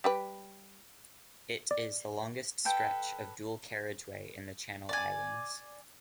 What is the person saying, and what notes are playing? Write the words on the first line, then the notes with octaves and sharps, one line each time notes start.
It is the longest stretch of dual carriageway in the Channel Islands.
G3 G4 B4
D5
A4 B4 G5
D5 G#5